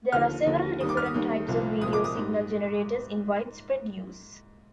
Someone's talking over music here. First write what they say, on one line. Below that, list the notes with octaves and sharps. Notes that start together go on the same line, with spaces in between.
There are several different types of video signal generators in widespread use.
D#2 D3 F3 F6
D#2 D3 F3
D#2 D#3 G3 D#6
D6
F6
D#6
D#2 D#3 G3
C2 A#2 F3
C2 A#2 F3 D#6
D6
D#6
G#2 G3